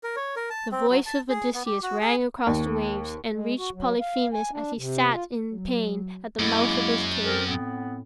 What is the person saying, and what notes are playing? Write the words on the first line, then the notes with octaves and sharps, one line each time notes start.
The voice of Odysseus rang across the waves, and reached Polyphemus as he sat in pain at the mouth of his cave.
A#4
C#5
A#4
A5
C4
F#3
A5
G#4
B3
G4
F#4
G#4
D#2
G#3
F#4
F#3
F5
G#5
D4
C3
F4
F#3
F#2 G#3 A#3 E4
C4 A4 A#4
A2 B3 C4